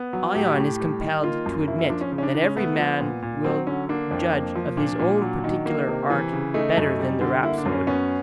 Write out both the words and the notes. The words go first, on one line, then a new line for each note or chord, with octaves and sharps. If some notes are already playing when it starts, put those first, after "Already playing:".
Ion is compelled to admit that every man will judge of his own particular art better than the rhapsode.
Already playing: B3
F#3
A2 G4
A2
G3
D#3
A#3 F4
F#2
A#3 E4
E4
F3 D4
C#4
C#3
C#4
D4
C#3 D4
C#4
A3 B3
F3
A#2
A#2
F#3 C4
D3 C#4
A#3 D4
F2
A#3
F3
A#2 D4
A#2
F#3
D#3
A#3
C3
E3
C#3
A3 D#4
F#2
G3
D3
A#3 E4
D4
F#2
C#4
B3 C#4